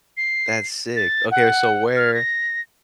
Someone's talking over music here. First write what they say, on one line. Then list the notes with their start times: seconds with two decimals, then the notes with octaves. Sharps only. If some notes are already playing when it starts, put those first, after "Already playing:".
That's sick. Okay, so where
0.17 C7
0.96 A6
1.31 F#5
1.96 F6
2.14 A#6